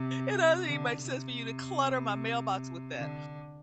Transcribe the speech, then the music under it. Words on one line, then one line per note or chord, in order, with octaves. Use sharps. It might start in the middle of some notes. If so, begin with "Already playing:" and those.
it doesn't even make sense for you to clutter my mailbox with that,
Already playing: C3
D3
C3
D3